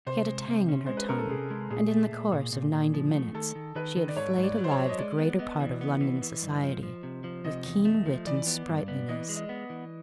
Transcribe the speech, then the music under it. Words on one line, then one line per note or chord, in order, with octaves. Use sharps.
She had a tang in her tongue, and in the course of ninety minutes she had flayed alive the greater part of London society, with keen wit and sprightliness.
C3 C5
G#3
C3
C#4
G#3 C5
B4
C#4 A#4
A4
C3 G#4
G#3
A#2 G#4
A3
A#2
A#2
A#2
A#2
F3
A3
D#3 A4
D#3
D#3 B4
D#3
D5
G#2 C#5
G#2
D5
F#3
C5
C#5
F#3
D#5
G#3 D5
B3
B3 D#5
E3
B3
E3
E3
G2
F3
F3
C3
F3
C3 D#5
E2
A3
F3
E3 D5
B3
G2
B3
E3 D#5
G#3
D#5
B3
E3